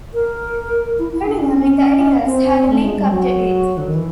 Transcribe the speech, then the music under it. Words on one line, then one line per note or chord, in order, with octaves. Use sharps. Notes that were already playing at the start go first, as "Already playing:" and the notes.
Everyone with ideas had to link up to it.
A#4
E4
E4
D4
C#4
C4
A3
G#3
G3
F#3
D3
D#3
E3